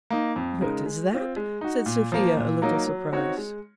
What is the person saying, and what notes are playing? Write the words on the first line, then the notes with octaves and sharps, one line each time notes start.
"What is that?" said Sophia, a little surprized.
A#3 D#4
F2
C#3 G#3 D#4 A#4
G#3
C4 F4
G#3
D#4 F#4
A#2
F3 A#3
A#2
F#3 A#3 D#4 A#4
F#3
C4 D#4 F#4 C#5
G#3